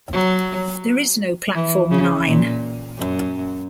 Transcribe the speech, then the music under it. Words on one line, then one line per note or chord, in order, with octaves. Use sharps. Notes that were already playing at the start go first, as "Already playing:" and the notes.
There is no platform nine.
F#3
E3
C#3
A#2
F#2